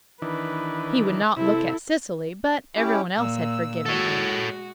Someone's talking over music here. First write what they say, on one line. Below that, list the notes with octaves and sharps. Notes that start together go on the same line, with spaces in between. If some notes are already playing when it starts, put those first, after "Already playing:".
He would not look at Cecily, but every one else had forgiven her.
D#3 E3 D4 B4
C3 E4 A4 E5
C#4 E4 G4
A#2 E6
G#3 F#4 A4 C#5